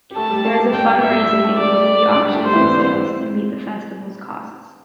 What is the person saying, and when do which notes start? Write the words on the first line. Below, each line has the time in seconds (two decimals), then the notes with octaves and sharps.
There is fund raising including auctions and sales to meet the festival's costs.
0.11 G4
0.16 A3 A4 A5
0.30 G3 G4
0.44 A3 A4
0.59 G3 G4
0.73 D3 D4 G5
0.87 G3 G4
1.01 G3 G4 E5
1.12 G3 G4
1.20 A3 A4
1.30 G3 G4
1.44 A3 A4
1.58 G3 G4 D5
1.72 G3 G4
2.15 D3 D4
2.25 G3 G4
2.34 A3 A4
2.44 G3 G4 C5
2.53 E3 E4
2.58 C4
2.63 D3 D4
3.01 C4